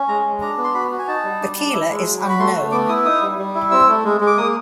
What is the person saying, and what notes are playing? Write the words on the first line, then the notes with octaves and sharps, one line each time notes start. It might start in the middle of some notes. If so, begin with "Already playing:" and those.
Bachiler is unknown.
Already playing: C#4
G#3 A#5
G#3
D4 A#5
B3
C6
F#4 B5
F#4
G#5
D#4 A5
G3
D4
D4
E4
G#3
F#3
F#4
B5
A3 C6
A3
B3 D6
E4 D#6
D#4 D#6
G3
G3
E4
C4 E6
A3
G#3
G#3
D6
A#3 D#6